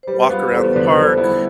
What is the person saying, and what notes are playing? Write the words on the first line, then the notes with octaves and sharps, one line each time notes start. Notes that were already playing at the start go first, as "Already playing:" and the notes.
walk around the park,
C5
G3 G4 B4
B3 F4
E2 A4 C5
D3 F3 B4 D5
A4 C5
G3
B3 E4